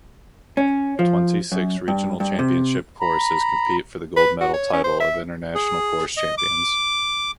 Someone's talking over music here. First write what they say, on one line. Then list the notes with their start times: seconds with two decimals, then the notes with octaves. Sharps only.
Twenty-six regional championship choruses compete for the gold medal title of International Chorus Champions.
0.57 C#4
0.99 F3
1.52 F#2
1.88 G2
2.20 G2
2.39 C3
3.01 A#5 B5
4.17 B4
4.41 F#4
4.54 C#5
4.73 C#4
4.84 C5
5.00 E5
5.55 G#4
6.17 D#5
6.38 D6